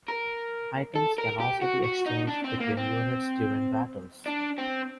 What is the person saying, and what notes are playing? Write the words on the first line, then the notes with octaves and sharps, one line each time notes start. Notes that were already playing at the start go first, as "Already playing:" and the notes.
Items can also be exchanged between units during battles.
A#4
A4
A#4
G4
F#4
F#4
D#4
D4
C4
A#3
C4
D4
C4